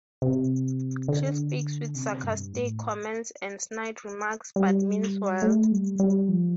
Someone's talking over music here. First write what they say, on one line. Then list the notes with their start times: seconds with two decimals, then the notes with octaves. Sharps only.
She speaks with sarcastic comments and snide remarks, but means well.
0.22 C3
1.08 D3
1.95 C3
2.24 G2
2.53 A2
4.56 G3
5.42 A3
5.72 G3
6.00 G3
6.29 F3